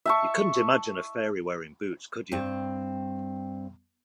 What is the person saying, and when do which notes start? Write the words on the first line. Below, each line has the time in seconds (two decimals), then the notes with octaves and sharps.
You couldn’t imagine a fairy wearing boots, could you?
0.06 E5 A5 C#6
2.32 G2 C4